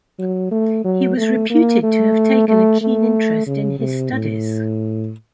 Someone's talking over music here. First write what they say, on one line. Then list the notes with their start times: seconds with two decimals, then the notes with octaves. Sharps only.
He was reputed to have taken a keen interest in his studies.
0.19 F#3
0.52 A3
0.84 F#3
1.17 A3
1.50 A#3
1.83 A3
2.48 A3
2.82 A3
3.47 C#3
3.80 C3
4.12 A2